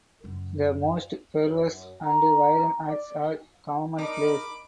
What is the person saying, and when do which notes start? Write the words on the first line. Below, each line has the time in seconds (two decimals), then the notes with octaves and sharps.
The most perverse and violent acts are commonplace.
0.24 F#2 C#3
1.46 F#2
2.05 A#5
2.88 D5
3.98 D#4 A#4 B5 D6